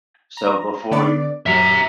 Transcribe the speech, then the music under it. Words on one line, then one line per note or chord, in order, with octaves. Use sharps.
So, before y
A#5
D3 B3 D5
F#2 F#3 E5 A#5